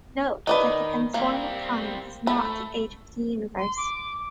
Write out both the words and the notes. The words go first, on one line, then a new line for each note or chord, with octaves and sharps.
Note that the conformal time is not the age of the universe.
D#3 B4 D5 D#5
G3 A#3 C4
A3 B5
C6
D6